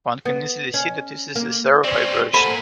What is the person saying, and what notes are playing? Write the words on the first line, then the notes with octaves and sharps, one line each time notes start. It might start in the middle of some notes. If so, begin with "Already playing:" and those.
One can easily see that this is a Serre fibration.
B3
C#4
A#3
C4 C#4 B4 C5 D5
A#3 A4 C5 F#5 G#5 B5